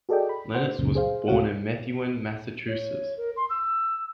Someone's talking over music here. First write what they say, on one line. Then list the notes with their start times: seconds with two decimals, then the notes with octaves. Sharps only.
Lennertz was born in Methuen, Massachusetts.
0.09 F#4 G#4 A4 D5 D#5 G5
0.29 B5
0.54 C5 F#5 C6
0.79 C#2 F#2 A#2 C#3
0.95 G#4 C5 F5
1.28 C#2 C3 G#3 F#4 F5 F#5
2.68 C#5
3.17 A#4
3.37 C6
3.50 E6